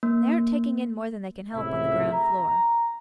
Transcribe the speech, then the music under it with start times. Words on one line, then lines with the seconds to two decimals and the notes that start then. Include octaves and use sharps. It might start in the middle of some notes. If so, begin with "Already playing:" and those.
They aren't taking in more than they can help on the ground-floor.'
0.03 A#3
1.53 C#2 A2 C3 E4 E5
2.12 A#5